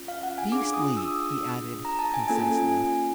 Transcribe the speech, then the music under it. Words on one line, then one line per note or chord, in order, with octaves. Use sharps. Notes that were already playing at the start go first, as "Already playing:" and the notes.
"Beastly!" he added concisely.
Already playing: C#4 F4
F5
F#5
G#5
D4 F4 G#4 D6
D#6
E6
D#6
A#5
A5
G#5
A#3 C#4 F4 A4 G#5
G#5
G#5